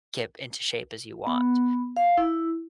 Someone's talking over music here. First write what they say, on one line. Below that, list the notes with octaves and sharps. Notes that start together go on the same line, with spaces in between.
get into shape as you want.
B3
F5
E4